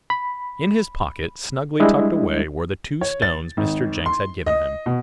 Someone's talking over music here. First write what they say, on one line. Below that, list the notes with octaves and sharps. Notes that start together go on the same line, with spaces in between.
In his pocket, snugly tucked away, were the two stones Mr. Jenks had given him.
B5
G3 G#3 D4 E4 D#5
C#5
A6
G#1
C6
D#5
B2